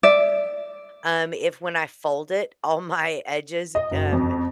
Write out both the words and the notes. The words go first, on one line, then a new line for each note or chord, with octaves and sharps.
Um, if when I fold it, all my edges, um,
D5 E5
D#5
F#1
F2